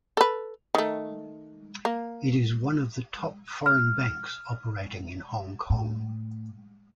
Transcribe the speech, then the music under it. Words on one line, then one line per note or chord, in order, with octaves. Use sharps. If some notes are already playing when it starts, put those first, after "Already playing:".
It is one of the top foreign banks operating in Hong Kong.
A4 B4
D#3 A3
A#3
F6
A2